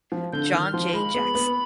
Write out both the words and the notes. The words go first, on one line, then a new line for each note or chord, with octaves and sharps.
John Jay Jackson.
F3
D3 G6
D#3 F6
F3 C6
G#3 B5
B3
B3